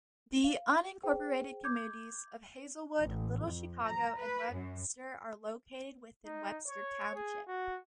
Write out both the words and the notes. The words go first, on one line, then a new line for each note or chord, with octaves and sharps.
The unincorporated communities of Hazelwood, Little Chicago, and Webster are located within Webster Township.
F5
G#4 C5 G5
D6 G6 G#6
A1
F2
A#5
B4
F#2
D#4
C#5
G#4
F#4